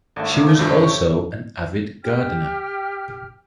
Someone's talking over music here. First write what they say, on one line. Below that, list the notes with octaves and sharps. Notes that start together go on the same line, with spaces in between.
She was also an avid gardener.
G#1 D3 A3
A#3
E3
E2 G2 F3 A3 C4 G4
G2 C#3 C#5
C#6
G4 G5 F6